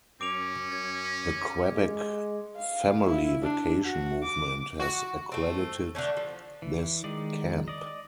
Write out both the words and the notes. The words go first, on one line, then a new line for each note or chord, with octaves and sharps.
The Quebec Family Vacation Movement has accredited this camp.
F#2 C#4 D6 D7 F7
F#2 G#6
G#3
F5
E4
D4
F#4
D6
F#4
A3 C4
D3 E3 A3 C#4
F3
E3
D#3 G#3 D5
D5 D#5